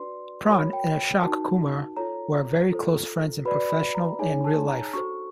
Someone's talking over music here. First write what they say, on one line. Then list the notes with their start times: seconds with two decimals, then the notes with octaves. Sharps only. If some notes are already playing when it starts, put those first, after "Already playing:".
Pran and Ashok Kumar were very close friends in professional and real life.
Already playing: D4 F#4 B4 D5 C6
0.48 F#4 A#4 C#5 B5
0.73 G5
1.22 D#4 F#4 A#4 A5
1.97 F4 A4 C#5 A#5
2.71 F4 A4 C5
3.45 F#4 B4 D5 B5
3.69 B5
3.94 A#5
4.19 D#4 G#4 C#5 G#5
4.44 A5
4.69 A#5
4.93 D4 F#4 A4 C5 C#6